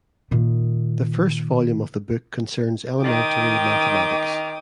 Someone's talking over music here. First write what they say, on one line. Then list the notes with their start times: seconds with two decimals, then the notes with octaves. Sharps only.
The first volume of the book concerns elementary mathematics.
0.31 A#2 D#3
3.03 D#3 G5 D6 D#6